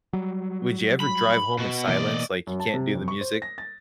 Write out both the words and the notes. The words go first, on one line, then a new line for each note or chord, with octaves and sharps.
would you ever drive home in silence, like, you can't do the music?
F#3 G3
B5
B2 F#4
B2 E3 A#3 D5 D#5
F#2
A5
C3
F2
C#6
C5
A#6
A6